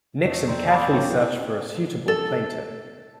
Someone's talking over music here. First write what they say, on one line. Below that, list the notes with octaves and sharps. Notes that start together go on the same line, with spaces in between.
Nixon carefully searched for a suitable plaintiff.
F2 A3 D#5
C4 D5 A#5 C6
B5 D6
G#1 C#4 C#5 E5 C#6
E4 B4
A4